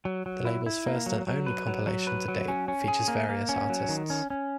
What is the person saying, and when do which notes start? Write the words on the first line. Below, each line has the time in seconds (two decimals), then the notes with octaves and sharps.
The label's first and only compilation to date featured various artists.
0.05 F#3
0.26 F#3
0.45 E4
0.66 E4
0.86 A#3
1.06 F#3
1.27 F#3
1.46 B4
1.67 F#3
1.87 F#3
2.07 B4
2.28 F#3
2.48 C#4
2.68 C#4
2.88 G#4
3.08 A#3
3.29 A#3
3.49 C#4
3.70 F#3
3.89 D#3
4.10 C#4
4.30 C#4